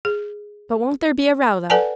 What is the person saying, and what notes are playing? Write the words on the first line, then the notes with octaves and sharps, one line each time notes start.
But won't there be a row though?
G#4
A4 B4 D5 F#5 G#5 A5